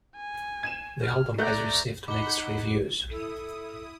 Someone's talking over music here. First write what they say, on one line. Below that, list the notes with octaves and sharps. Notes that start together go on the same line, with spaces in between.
The album has received mixed reviews.
G#5
G#6 D#7 E7
F6
A3 D5 A#5 F#6 G6
D#4 F#5 B5 D6 G7
E4 A4 D#6